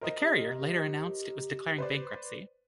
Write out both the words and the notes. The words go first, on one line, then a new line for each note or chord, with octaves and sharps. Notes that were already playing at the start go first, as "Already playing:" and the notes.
The carrier later announced it was declaring bankruptcy.
A#4 C5 D#5
G4
B4 C5 D5